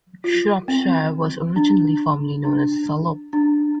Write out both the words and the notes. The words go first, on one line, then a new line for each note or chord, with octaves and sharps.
Shropshire was originally formally known as 'Salop'.
F4
C4
D4
D4
D4